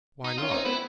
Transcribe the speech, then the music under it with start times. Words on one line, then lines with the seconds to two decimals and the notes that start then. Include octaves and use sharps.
Why not?
0.24 D#4
0.38 C#4 F4
0.51 C4 D#4
0.65 B3 E4